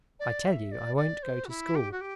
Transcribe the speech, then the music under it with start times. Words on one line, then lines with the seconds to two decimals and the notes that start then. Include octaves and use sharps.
"I tell you I won't go to school."
0.19 D5
0.45 E5
0.71 D5
0.96 D5
1.23 C5
1.45 F#4
1.48 E4
1.75 G4
1.91 F#4
2.00 G4